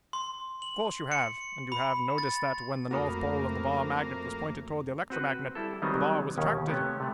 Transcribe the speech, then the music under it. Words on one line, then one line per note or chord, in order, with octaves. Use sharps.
Of course you have, and you have noticed that, when the north pole of the bar magnet was pointed toward the electromagnet, the bar was attracted.
C6
F#7
C#7
B5
A6
F2 A3 A#3 F#4 B5 D#6
C4 F#4 B4
G3 E4 A4
D#3 F#3 G3 B3 C4 D#4
D#2 B2 D#3 C#4
C3 A3 B3 C#4
C3 A3